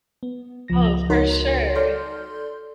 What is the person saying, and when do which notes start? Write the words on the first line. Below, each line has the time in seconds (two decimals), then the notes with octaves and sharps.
Oh, for sure.
0.23 B3
0.68 C#2 F3 A#6
1.10 C#2 D#4 F#4 A#4 C#5 C6
1.75 A4 D5 C6 F6 G6